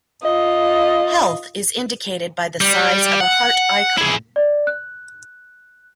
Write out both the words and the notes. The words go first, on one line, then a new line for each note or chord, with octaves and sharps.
Health is indicated by the size of a heart icon.
F4 D#5
G3
F#5
E4 G#4
D5
F#6